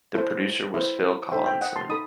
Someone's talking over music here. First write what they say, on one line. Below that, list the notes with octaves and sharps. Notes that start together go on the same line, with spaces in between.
The producer was Phil Collinson.
E4 A4 C5
E4 A4 C5
D#4 A4 C5 E5 G5
E5 G5
D#5 F#5
A5 C6
D#4 A4 B5 D#6